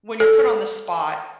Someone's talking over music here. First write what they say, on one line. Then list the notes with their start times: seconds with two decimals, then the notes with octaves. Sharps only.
When you're put on the spot
0.20 A4